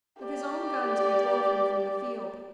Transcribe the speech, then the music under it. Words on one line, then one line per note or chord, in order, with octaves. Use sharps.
With his own guns we drove him from the field.
G4 D5